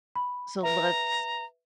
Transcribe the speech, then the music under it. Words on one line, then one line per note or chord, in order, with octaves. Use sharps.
so let's
B5
B4 E5 A#5